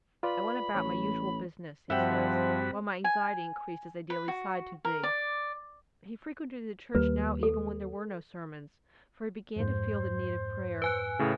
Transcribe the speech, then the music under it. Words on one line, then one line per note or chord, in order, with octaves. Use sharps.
"I went about my usual business," he says, "while my anxiety increased as I daily sighed to Thee." He frequented the Church now even when there were no sermons, for he began to feel the need of prayer.
F4 B4 D5 B5
A1 C#5
G2 F3 C4 F#4 E5 F#5 G5 B5
G#5
B4
F#4
A#4
D5
D#2 G3 A#3 B4
A4
F2 G#2 C5
B4 G#5 F#6
A2 C#3